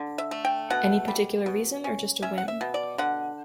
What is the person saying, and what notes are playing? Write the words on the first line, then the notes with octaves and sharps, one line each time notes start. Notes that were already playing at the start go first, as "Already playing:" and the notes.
Any particular reason, or just a whim?
Already playing: D3
E5
A3
G5
B2 F#5
G3
B2
C#4
C#4 E5
F#5
E5
B2
D5
D3 F#5